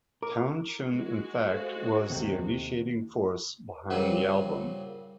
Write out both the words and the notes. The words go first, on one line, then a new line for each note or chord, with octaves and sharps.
Townshend, in fact, was the initiating force behind the album.
A#4 D6
G#3 F#4
A4 C5 F5
D#2 C3
G2 A#2 C#3 C4 F#4